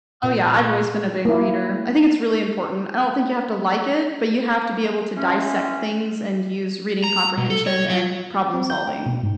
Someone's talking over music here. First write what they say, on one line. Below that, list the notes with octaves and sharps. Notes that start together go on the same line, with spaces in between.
Oh yeah, I've always been a big reader. I think it's really important. I don't think you have to like it, but you have to be able to dissect things and use reading comprehension and problem solving.
A#2
C#6
A#3 E4
E3 G#3 C#4
A#5
B2
A4
C#5
F#3
C4
G6
G5
B2
G#2